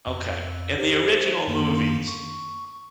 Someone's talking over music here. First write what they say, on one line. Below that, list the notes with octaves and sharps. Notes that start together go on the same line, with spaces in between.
Okay. In the original movies,
F2
G4 C5
F#2 D#3 A#3
C#6